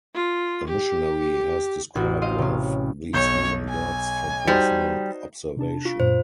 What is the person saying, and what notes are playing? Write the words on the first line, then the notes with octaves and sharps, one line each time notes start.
A missionary has described one of these human gods from personal observation.
F4
G4
A1 F#4
C5 D#5 F5
C3 C#4
B1 C#5 G6
G#5
G3 D#4 F#4 C5
C3 D4 A5
F4 C#6
F#2 A#2 C5